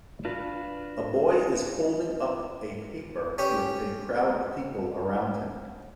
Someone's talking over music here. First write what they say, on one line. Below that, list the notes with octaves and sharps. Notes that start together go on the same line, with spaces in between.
A boy is holding up a paper with a crowd of people around him.
D4 F4 F#4 B4
C#4 G4